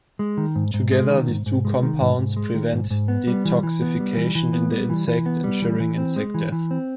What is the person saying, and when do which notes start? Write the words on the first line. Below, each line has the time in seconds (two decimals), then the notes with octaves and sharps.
Together, these two compounds prevent detoxification in the insect, ensuring insect death.
0.19 G#3
0.37 D#3
0.56 G#2
0.74 G#2
0.92 G#3
1.10 D#3
1.28 G#2
1.46 G#2
1.65 G#3
1.83 D#3
2.01 G#2
2.18 G#2
2.37 G#3
2.54 D#3
2.73 G#2
2.91 G#2
3.08 B3
3.27 G3
3.45 E3
3.63 E3
3.82 B3
4.00 G3
4.17 E3
4.35 E3
4.53 B3
4.71 G3
4.89 E3
5.07 E3
5.26 B3
5.44 G3
5.62 E3
5.80 E3
5.98 C4
6.16 G#3
6.34 E3
6.52 E3
6.71 C4